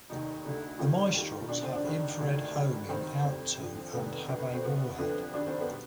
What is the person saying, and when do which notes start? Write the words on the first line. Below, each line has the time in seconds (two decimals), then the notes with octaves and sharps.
The Mistrals have infrared homing out to and have a warhead.
0.09 F1 D#2 D#3 D#4
0.45 D2 D3 G3
0.79 F2 C3 D#3 G3 F4
1.14 D#2 D#3 G3
1.49 B1 B2 G3 D4
1.63 C4
1.75 D4
1.84 G#1 G2 D#3
2.19 D2 C3 D#3 G3
2.55 G1 G2 D3 G3
2.89 G#1 G2 D#3 C4
3.25 F2 C3 G3
3.58 F2 D3 F3
3.93 F1 F2 D#3 G3 B3
4.29 G1 F2 D3
4.54 C4
4.63 C2 B2 G3 B3
4.98 F2 D3 F3
5.33 G#1 G2 D#3 D4
5.47 C4
5.61 B3
5.69 B2 G3